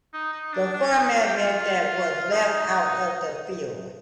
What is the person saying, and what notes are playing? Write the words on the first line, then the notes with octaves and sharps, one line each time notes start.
The format meant that was left out of the field.
D#4
D#4
D4
D4
D#4
F4
G4
F4
D#4